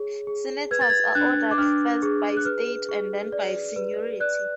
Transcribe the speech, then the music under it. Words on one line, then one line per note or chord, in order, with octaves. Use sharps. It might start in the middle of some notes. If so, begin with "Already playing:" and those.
Senators are ordered first by state, and then by seniority.
Already playing: G#4 C#5
G#4
B4 G#6
A6
G#6
D4 F#6
D6
D4 F6
G#4
F#6
B4 F6
G#4
D5
B4
D5 F#6